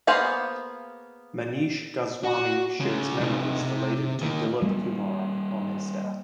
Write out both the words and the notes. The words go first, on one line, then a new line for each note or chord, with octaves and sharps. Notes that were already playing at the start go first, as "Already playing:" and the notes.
Manish Goswami shares memories related to Dilip Kumar on his death.
A#3 B3 G#4 C5 F5
F#4
C#3 G#3
C3 D#4
C3
D#3 A#3
G3 A#3